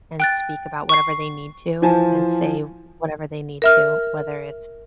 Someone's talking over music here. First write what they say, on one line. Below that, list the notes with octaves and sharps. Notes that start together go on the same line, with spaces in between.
and speak about whatever they need to and say whatever they need to, whether it's,
G5 F#6 A6
C#6 C7
E3 F3 C5 G#5 A5
A#4 E5 F6